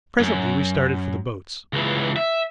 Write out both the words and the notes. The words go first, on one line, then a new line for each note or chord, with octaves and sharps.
Presently we started for the boats.
F#2
C#2 E3
E5